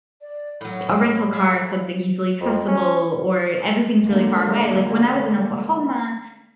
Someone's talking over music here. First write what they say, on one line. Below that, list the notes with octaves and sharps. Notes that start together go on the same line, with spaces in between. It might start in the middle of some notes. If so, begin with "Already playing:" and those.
a rental car or something easily accessible, or everything's really far away. Like, when I was in Oklahoma,
D5
A2 F#3 B5
G#4 E5 F5
F2
C#4
D3 G#3 A#3